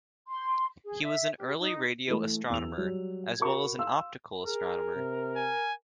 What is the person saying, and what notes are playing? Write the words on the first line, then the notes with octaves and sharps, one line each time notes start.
He was an early radio astronomer, as well as an optical astronomer.
C6
G#4
E5
G4
D#4
E3 A3
E2 E6 F7
F#3 G3
F#4 A#4 B5 C#6
F5 C6 E6
G#4 A#4
C3
G#5